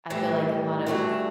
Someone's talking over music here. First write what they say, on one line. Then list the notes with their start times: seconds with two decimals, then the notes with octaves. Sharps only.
I feel like, a lot of
0.10 A2 E3 G3
0.86 G2 E3 A3 D4 F#4